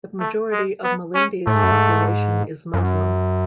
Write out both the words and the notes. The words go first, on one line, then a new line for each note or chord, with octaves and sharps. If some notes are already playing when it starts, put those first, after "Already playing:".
The majority of Malindi's population is Muslim.
A3
G#3
B3
C#4
A2 A3
G#2
F#2
G#2
F#2